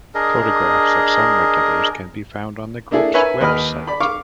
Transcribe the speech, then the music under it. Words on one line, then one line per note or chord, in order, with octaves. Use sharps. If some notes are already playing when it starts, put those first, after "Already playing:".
Photographs of some regulars can be found on the group's web site.
D4 G#4 A#4 D#5
A#3 D4 E4 G#4 A4
A#4 B4 C#5 E5 G#5
D#2 B4 D#5 B5 F6
D5 B5
F5 C#6 D6